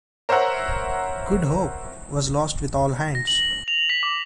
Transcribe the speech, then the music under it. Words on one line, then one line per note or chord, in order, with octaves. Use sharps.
"Good Hope" was lost with all hands.
A#4 C5 C#5 E5 F#5 A#5
A#6
F#7
F7
B6
D6